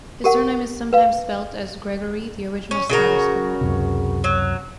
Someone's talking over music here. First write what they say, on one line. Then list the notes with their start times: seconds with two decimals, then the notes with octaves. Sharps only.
His surname is sometimes spelt as Gregorie, the original Scottish spelling.
0.24 G4 A#4 F#5
0.93 B4 F5
2.71 C#4
2.90 C#3 F#4 A#4
3.61 C#2 F#2 C3
4.24 F#3